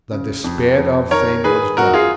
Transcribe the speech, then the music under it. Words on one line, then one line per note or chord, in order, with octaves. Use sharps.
The despaired-of thing was done.
C#3
F2
F2
D#3 A#4 C#5
D#3 G#4 B4
F#2 F#4 A#4
F4 G#4